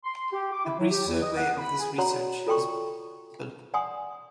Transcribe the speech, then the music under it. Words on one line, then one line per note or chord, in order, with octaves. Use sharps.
A brief survey of this research is below.
C6
G4
D6
E4
F#3
G4
E2
D#5
F#5
B5
G#4
F#4 C#5 D5 F#5 A#5 C6
F4 A4 D5 G5 C6 C#6
D5 F#5 G#5 C6 D#6